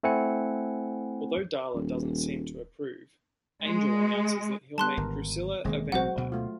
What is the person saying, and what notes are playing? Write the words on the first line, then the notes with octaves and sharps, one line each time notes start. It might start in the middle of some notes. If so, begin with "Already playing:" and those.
Although Darla doesn't seem to approve, Angel announces that he'll make Drusilla a vampire.
A3 C4 E4 F#5 G#5 C#7
D#1
G#3
G3 B3 A5 C6 F#6
G#1 D3 A#4
E1 D#3 G#3 A#3 C4
A1 B2 F#3 C4 F#4 C5 F#5
D2 B2
A3 F4